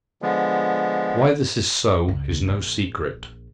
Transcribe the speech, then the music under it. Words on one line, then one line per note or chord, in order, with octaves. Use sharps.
Why this is so is no secret.
D3 F3 G#3 B3
C#2
A#1